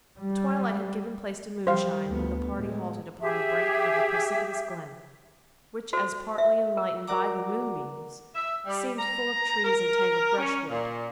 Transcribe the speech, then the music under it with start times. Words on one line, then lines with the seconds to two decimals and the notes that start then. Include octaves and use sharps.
The twilight had given place to moonshine when the party halted upon the brink of a precipitous glen, which, as partly enlightened by the moonbeams, seemed full of trees and tangled brushwood.
0.18 G3
1.67 F3 G3 C5 F5
2.06 D2 B3
2.56 A2 G#3
3.21 G4 G#4 E5
5.93 F#4 A4 C5
6.38 E5
6.77 A#4
7.08 F#4 A#4 D5 F#5 A#5 D6
8.35 E5
8.66 G3
8.99 A#5
9.65 A#4
10.37 C#4
10.70 A#2